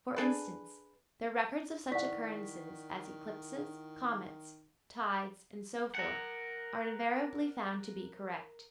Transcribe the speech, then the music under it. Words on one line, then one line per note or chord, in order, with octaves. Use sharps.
For instance, their records of such occurrences as eclipses, comets, tides, and so forth, are invariably found to be correct.
D4 G#4 A4 B4
D#3 E4 D5 F#5 C#6 B6
A#4 F#5